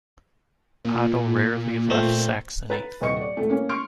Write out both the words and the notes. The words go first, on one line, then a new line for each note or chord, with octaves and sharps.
Otto rarely left Saxony.
A#2
A3 C4
B4 A#5 A6
D#1 C3 B4 D#5 C#6 C#7
D5
E1 A3
A#3 C#4
C6 C#6 F6 D7